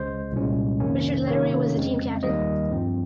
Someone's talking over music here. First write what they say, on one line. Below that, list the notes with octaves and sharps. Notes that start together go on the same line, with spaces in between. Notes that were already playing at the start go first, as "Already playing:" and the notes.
Richard Lettieri was the team captain.
Already playing: C#2 C#3 G#3 C5
C2 A#2 G#3 C#4
F2 C3 D#3 A#3 C#4
C3 D#3 A#3 C#4 C#5
F2 C#3 G#3 C4
D#2 D#3 G3 A#3 D#5
G2 F3 C4